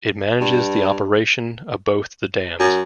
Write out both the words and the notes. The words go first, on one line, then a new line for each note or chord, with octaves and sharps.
It manages the operation of both the dams.
G2
F#2